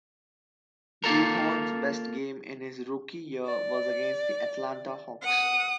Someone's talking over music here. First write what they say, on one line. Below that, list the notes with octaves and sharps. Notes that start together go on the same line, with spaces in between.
Duhon's best game in his rookie year was against the Atlanta Hawks.
A#3 F4 A4 A#4
D5
F#5 D#6